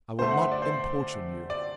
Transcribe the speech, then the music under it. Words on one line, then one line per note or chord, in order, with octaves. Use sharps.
I will not importune you.
D3 A3 C5
F#5
E5
D5
C5
D5